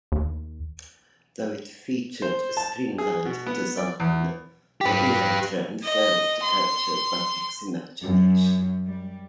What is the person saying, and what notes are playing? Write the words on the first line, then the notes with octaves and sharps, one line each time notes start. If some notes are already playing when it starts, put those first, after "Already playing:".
Though it featured a streamlined design, the "Aerotrain" failed to capture the public's imagination.
D#2
C5
A5
G#4
B2
B3
D5
E2
G4 B4
D#5
C6
F#2
G3